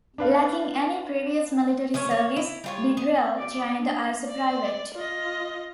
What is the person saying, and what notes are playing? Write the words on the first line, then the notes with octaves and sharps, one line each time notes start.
Lacking any previous military service Degrelle joined as a private.
D4 B4 F5
F3 A3 C#4 C#5
C#5
E4
G3 F4 C#5
B3
D5
D4
D5
F4 D#5